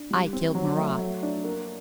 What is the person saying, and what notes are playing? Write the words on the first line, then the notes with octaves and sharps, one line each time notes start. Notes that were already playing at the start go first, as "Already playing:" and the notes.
"I killed Marat!"
Already playing: D4
G3
C4
F#3
A3
A3
D4
A#3